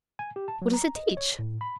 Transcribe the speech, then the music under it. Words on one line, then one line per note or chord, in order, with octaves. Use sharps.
What does it teach?
G#5
G4
A5
F#3
A#5
D#5
C#5
A2
B5